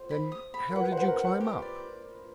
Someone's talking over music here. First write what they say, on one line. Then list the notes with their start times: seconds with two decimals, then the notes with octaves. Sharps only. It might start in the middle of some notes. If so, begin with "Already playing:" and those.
'Then how did you climb up?'
Already playing: C5
0.10 B5
0.32 D#6
0.54 B5
0.70 A#4
0.75 B4 F#5
0.92 C5
0.97 B4 F#5
1.08 A#4
1.19 F#5
1.41 G4
1.62 D5